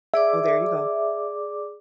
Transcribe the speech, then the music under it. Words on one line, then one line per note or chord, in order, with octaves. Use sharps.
Oh, there you go.
G#4 D5 E5 D6